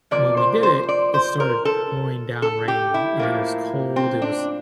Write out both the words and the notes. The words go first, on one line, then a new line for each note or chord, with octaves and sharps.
when we did it, it started pouring down raining, and it was cold, it was,
C3 F3 A#3 D5
C5
C5
D5
C5
A#4
A4
A4
G4
E4
A2 F3 A#3
C4
D4